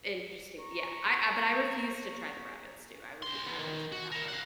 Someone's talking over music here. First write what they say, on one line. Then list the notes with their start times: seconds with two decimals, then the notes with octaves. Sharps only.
Interesting, yeah, I I but I refuse to try the rabbit stew, I wouldn't I wouldn't try that one.
0.63 A#5 C#6
3.23 B1 C6
3.46 E3 B3
3.59 D#3
3.92 F#4
4.12 E4 A#4
4.28 F5 F#5